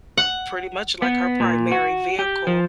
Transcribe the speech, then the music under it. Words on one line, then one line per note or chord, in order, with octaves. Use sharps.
pretty much, like, her primary vehicle,
F#5
B3
A#2
F#4
G4
F3